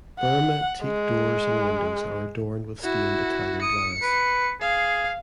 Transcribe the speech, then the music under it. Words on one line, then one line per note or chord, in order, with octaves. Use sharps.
Burma teak doors and windows are adorned with stained Italian glass.
F#5
G#3
E4 F#4
D#6 C#7
B4
G#4 F5